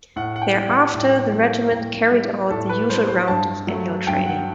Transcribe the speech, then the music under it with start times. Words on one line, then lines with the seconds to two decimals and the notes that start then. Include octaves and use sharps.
Thereafter the regiment carried out the usual round of annual training.
0.16 A2 F#5
0.36 F#5
0.42 G5
0.55 G3
0.68 F#5
0.94 A2
1.33 G3
1.72 A2
2.11 G3
2.50 A2 A4
2.69 B4
2.90 G3 C5
3.08 C5
3.28 G2 A5
3.67 F#3 A3
4.07 G2 G5
4.26 F#5